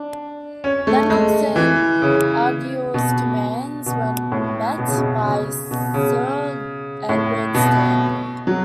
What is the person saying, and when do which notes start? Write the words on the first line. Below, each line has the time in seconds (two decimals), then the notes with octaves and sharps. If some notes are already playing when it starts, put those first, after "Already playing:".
Lennox and Argyll's commands were met by Sir Edward Stanley.
Already playing: D4
0.64 C#4
0.87 A3
1.10 G#3
1.56 E3
2.02 C#3
2.94 B2
3.86 B2
4.32 A2
4.78 B2
4.88 C#3
4.98 B2
5.24 C#3
5.71 B2
5.94 C#3
7.09 A2
7.55 B2
8.47 F#3